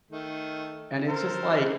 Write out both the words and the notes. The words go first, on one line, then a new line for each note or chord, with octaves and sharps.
and it's just like
D#3 A3
A4 A#4 C5